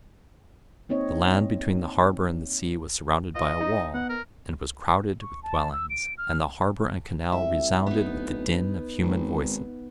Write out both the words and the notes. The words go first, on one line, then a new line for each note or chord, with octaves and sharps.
The land between the harbour and the sea was surrounded by a wall, and was crowded with dwellings, and the harbour and canal resounded with the din of human voices.
A#3 C4 D#4 C#5 D#5
F4 D#5
D#4
B3 F#5
A#4
C#6
A5
E6
D7
F6
C2 E5
D1 B3 D#4
G#1